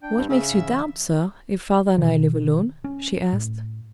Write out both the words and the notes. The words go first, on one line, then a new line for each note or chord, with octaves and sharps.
"What makes you doubt, sir, if father and I live alone?" she asked.
D4 G5
G2 D4
C#3 G#4 E5
G#2
E3
B2 D#3
C#4
A2